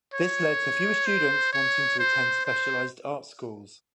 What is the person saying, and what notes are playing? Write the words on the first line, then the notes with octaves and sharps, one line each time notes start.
This led to fewer students wanting to attend specialised art schools.
C#5
C5
C#5
C5
C5